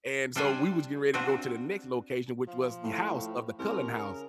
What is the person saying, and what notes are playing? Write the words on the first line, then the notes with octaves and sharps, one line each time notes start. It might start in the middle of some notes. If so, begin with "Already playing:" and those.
and so we was getting ready to go to the next location, which was the house, of the Cullen house,
G3 D4 C5 D5 G#5
C4 D4 F4 F#4
F3
A2
C2 A#4
C#3